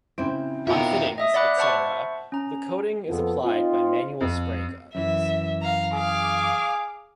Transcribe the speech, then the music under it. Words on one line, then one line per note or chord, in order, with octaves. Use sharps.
On fittings, etc., the coating is applied by manual spray guns.
C#3 C4 E4 C5 D7
B3 D#4 F4 F#4 A#4 E5 G5 A#5
D#5 E5 D#6
D5 E5 F#5 B5 D6 F#6
C5 E5 F#5 A5 B5 C#6
C#4 A#5
F2 B3 G#4 A4
C4 D#4 F4
F2
F#2 E3 E5
F5 A#5
G#4 F5 D6